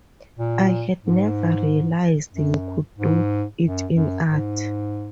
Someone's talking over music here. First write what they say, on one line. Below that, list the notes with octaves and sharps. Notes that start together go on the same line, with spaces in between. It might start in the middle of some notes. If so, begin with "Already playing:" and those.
I had never realized you could do it in art.
A#2
G#2
F#2
G#2
F#2
F#2
G#2